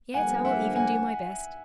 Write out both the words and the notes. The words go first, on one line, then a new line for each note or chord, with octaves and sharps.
"Yet I will even do my best."
G2 D3 F3 A#3 F#5 G#5
E5 F#5
F#5 G#5